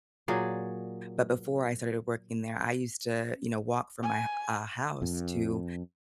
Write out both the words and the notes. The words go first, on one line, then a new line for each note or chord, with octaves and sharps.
but before I started working there I used to, you know, walk from my h uh, house to
A#2 F#3 G#4 D5
G#5
F2